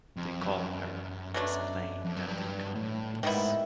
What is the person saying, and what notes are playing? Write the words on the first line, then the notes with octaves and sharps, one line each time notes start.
They calm her and explain that they come in peace.
F2
F#2
B2 F#3 A3 D4
F2
F#2
G2
A2
G#2 D#3 G3 B3 E4